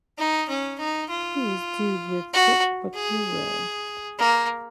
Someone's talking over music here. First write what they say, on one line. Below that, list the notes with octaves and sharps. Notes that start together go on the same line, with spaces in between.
Please, do with it what you will.
D#4
C#4
D#4
F4
F#4
G#4
A#3